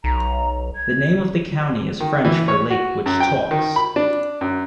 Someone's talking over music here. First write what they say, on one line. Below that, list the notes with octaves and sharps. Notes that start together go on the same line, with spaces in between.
The name of the county is French for lake which talks.
B1 A#5
G#6
D#3
E3
C#5
F#4
F#2
G5
D#3
B5
D4
F#2